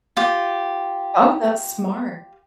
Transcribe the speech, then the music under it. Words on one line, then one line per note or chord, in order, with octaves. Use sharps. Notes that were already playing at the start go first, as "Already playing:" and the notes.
Oh, that's smart.
F4 G4